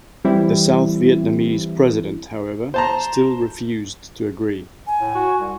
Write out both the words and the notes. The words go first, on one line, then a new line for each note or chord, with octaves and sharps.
The South Vietnamese president, however, still refused to agree.
E3 G3 C4 E4
C5 A5 A#5
G#5
A2
F#4
C2